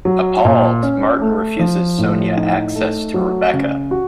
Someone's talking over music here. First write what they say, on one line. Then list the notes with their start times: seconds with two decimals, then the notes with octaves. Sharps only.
Appalled, Martin refuses Sonia access to Rebecca.
0.05 F#3
0.45 A#2
0.83 C#4
1.21 A3
1.59 F3
1.98 A2
2.37 D#4
2.76 A3
3.14 F#3
3.53 C#3
3.91 F#4